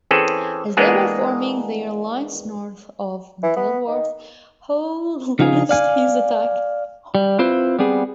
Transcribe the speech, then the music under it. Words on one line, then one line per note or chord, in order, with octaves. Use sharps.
As they were forming their lines north of Dilworth, Howe launched his attack.
E3 C4 C#4 G#4 A4
E3 G#3 A#3 B3 D4 G#4
E3
B3
D#3
C#3 F3 D#4 F4 G#4
D5 F5 G#5
G3
C4 E4 F4 B4 C5
G3 B3 C4 G#4